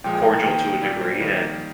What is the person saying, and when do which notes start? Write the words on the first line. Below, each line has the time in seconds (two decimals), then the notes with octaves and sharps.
cordial to a degree and
0.04 A#2 F3 G#3 G5
0.14 G#5
0.23 A#5
0.33 G#5
0.43 D#3 A#3 G5
0.82 A#2 G3 A#3
1.01 C5
1.20 D#3 G3 A#3